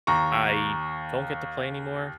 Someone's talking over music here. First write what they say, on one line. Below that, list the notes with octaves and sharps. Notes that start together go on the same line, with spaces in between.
I don't get to play anymore,
D#2 A#5 C#6